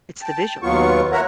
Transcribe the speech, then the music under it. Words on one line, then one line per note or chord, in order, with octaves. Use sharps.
It's the visual.
G5 A5
D#2 F#3 B3 F4 C#6
A#4 C#5 E5 F#5 A#5